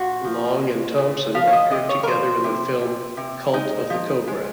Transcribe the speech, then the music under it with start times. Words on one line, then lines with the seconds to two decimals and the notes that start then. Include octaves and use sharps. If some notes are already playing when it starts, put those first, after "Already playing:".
Long and Thompson appeared together in the film "Cult of the Cobra".
Already playing: A#2 F#4
0.25 F3
0.61 G#3
0.98 A#2
1.34 F3 F5
1.47 C#5
1.53 D#5
1.71 C3 D#5
1.89 C#5
2.03 A#4
2.08 F3 C5
2.44 C3
2.81 C3
3.17 C3
3.53 G#3 D#4
3.90 F3
4.27 G#3